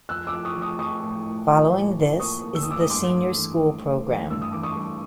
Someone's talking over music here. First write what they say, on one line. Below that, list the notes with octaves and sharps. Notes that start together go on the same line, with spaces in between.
Following this is the Senior School program.
F3 E6 F#6
D6 E6
F3
C#6 D#6
F3
C#6 D#6
F3 C#6 D#6
A2
A2
F3
A2
A2
A#3 C#6 D#6
A#3
E6
D#6
A2 D6 E6
D#6
G2 C6 D6
A3
E3
E3
A3
E3
G2 E6
D#6
E3 D6
C#6 D#6
G2